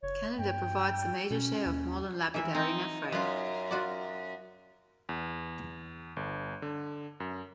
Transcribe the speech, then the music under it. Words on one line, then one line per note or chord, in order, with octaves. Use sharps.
Canada provides the major share of modern lapidary nephrite.
F#1 C#5
G2 G5
B2 C#4
D#2
E3 A#4 E5
C4 D#4
F#2 F4 B4
F4 F#4 D5
E2
G1
D3
F#2